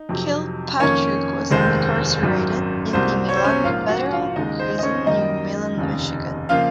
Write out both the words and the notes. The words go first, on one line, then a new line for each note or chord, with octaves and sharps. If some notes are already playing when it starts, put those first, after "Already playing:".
Kilpatrick was incarcerated in the Milan Federal Prison near Milan, Michigan.
Already playing: D#4
F2 C3 F#3
F2 D#3 A#3 C#4 C#5
F1 D#2 D#3 G#3 C5
G#1 F#2 D#3 F#3
C2 C3 F#3 A#3 C5
C#5
C5
C#4 C#5
A#1 G#2 F3 A#3 F4 F5
F#4 F#5
F4 F5
D#2 C#3 G#3 D#4 D#5
C5
D#5
C#4 C#5
F#2 D#3 A#3 D#4 D#5
F1 D#2 C#3
C#3 F3 A#3 F4 F5